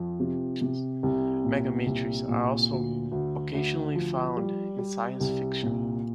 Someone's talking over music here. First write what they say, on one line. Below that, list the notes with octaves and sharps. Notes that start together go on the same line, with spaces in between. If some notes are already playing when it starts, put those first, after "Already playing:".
Megametres are also occasionally found in science fiction.
Already playing: F2 F3
C3
C3
C2
A#2
C2
A#2
D2
D2
D2
F3
G3
G3
C2
A#2